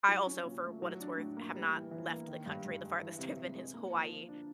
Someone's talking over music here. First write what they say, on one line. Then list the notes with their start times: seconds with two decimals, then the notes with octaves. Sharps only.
I also, for what it's worth, have not left the country, the farthest I've been is Hawaii,
0.09 F#3
0.26 C#4
0.45 A#2
0.63 A3
0.82 F#3
1.00 D4
1.18 A2
1.37 A#3
1.54 G3
1.73 E3
1.91 E3
2.09 A#3
2.28 D#3
2.46 G2
2.65 G2
2.82 G#3
3.01 E3
3.19 C3
3.37 C3
3.55 G#3
3.74 A#3
3.92 F3
4.10 F3
4.29 D4